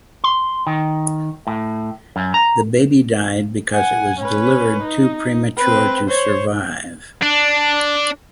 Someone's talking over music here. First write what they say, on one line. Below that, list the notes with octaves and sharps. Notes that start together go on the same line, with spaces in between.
The baby died because it was delivered too premature to survive.
C6
D#3
A2
F#2
A#5
F#5 G#5
C#4 B4
D#4
C4 B4
C5 C#5
D4